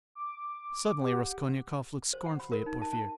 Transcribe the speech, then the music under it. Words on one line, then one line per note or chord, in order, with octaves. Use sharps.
Suddenly Raskolnikov looked scornfully at Porfiry.
D6
G4 F#5
C5
F#5
B5
A#4
D#4
A5
A5